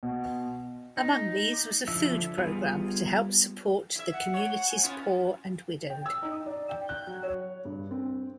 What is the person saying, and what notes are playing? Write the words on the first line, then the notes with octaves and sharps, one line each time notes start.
Among these was a food program to help support the community's poor and widowed.
B2
D#4
D3 F3 E4 E5 E6
G3 B3 F4 G#4
E4 E5
F#5
C#5
G#5
B3 C#4 E4 F4
G5
E6
D#4
D5
G5
F#6
F#3
C#5
G2
C4